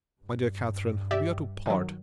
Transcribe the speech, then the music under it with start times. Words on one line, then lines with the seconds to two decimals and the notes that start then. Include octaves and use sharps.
My dear Catherine, we are to part.
0.19 G2
1.11 G4 D5 E5
1.66 D#3 F#3